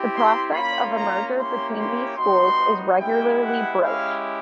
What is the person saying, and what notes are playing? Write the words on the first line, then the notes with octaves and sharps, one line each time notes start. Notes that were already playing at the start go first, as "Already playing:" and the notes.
The prospect of a merger between these schools is regularly broached.
Already playing: C4 E4 G4
C6
A#3 C#4 F4 B5
A#5
A#3 C#4 E4 G4 C6
C6
G3 B3 D#4 F#4 C6
G#3 B3 E4 G4 G5
F#5
G#3 C#4 E4 G4 F5